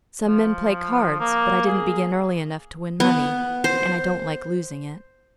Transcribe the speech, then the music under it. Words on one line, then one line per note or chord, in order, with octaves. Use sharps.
Some men play cards; but I didn't begin early enough to win money, and I don't like losing it.
F3
A#3
G#4
B3
C5